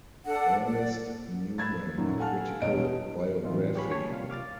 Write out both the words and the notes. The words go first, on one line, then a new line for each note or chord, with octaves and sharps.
"Ernest Newman: A Critical Biography".
D4 A4 F#5
D5
B5 E6 G#6 A6
F#2 A#2 D#3 F#3
A4 F5 F#5 G#5 A5 F6
E1 E2 C#5 D#5 D7
A2 E3 G3 C4 D#4 F4
F4 G4 G#4 C#5 G#5 B5
C#5 A5
C3 G3 A#3 F4 F5
F5 D6 F6 A6